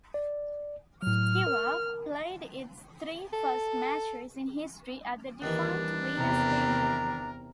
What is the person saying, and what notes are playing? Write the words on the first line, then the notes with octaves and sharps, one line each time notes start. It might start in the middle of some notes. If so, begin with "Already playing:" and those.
Steaua played its three first matches in history at the defunct "Venus" stadium.
D5
A2 F#3 F6
A#4
A4
D#2 D#3 E3 D4
E2 C3 A#4